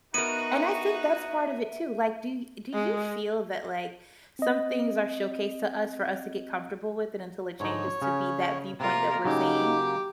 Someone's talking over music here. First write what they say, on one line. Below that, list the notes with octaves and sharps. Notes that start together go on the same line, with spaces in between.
and I think that's part of it too. Like, do y do you feel that, like, some things are showcased to us for us to get comfortable with it until it changes to be that viewpoint that we're seeing?
B3 D#4 F#4 A#4 E5 D#7
G#3
C4 D#5
G#2 D3 D#4 C#5
C#3 C#4
C3 A#3 F4 A#4
C#3 F#3 D#4 G4 D6